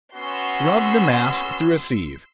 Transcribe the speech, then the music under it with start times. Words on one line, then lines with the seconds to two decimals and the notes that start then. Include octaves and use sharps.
Rub the mass through a sieve.
0.15 B3 C#4 F#4 C6 E6